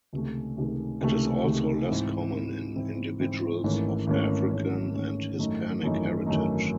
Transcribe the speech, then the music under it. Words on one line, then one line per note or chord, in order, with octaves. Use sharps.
It is also less common in individuals of African, and Hispanic heritage.
C#2 C3 D#3 A3
C#2 C3 D#3 A3
C#2 C3 D#3 A3
C#2 C3 D#3 A3
G#2 E3 C4 E4
G#2 E3 C4 E4
G#2 E3 C4 E4
G#2 E3 C4 E4
G#1 G#2 E3 A3 C#4
G#1 G#2 E3 A3 C#4
G#1 G#2 E3 A3 C#4
G#1 G#2 E3 A3 C#4
G#1 F#2 E3 A3 D#4
G#1 F#2 E3 A3 D#4
G#1 F#2 E3 A3 D#4